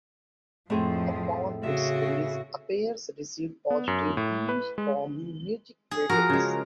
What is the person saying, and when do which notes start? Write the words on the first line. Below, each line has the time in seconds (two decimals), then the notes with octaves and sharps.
Upon its release, "Appears" received positive reviews from music critics.
0.70 F2 A2 F3 C4 G#4
1.63 C#3 F#4 E5
3.70 B3
3.88 F#2
4.17 A2
4.49 B4
4.78 G#3
5.91 G#4
6.09 F3 F#4 A#4
6.30 C#3 G#3